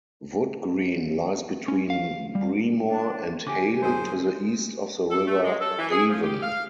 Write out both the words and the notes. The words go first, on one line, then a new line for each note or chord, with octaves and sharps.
Woodgreen lies between Breamore and Hale to the east of the River Avon.
C#4
F5
G3
D4
D3 G4 G#5 D6
F#2 G#4 C5
A4
A3
G#3
A4
E3
G#4
F3
G4
F5